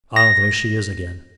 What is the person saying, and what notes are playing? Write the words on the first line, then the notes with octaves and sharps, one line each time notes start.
Ah, there she is again.'
A#6